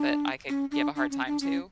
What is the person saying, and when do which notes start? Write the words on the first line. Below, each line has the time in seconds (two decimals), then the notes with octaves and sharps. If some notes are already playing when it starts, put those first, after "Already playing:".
that I could give a hard time to
Already playing: D4
0.49 C#4
0.71 D4
0.96 D4
1.10 C#4
1.27 D4
1.41 C#4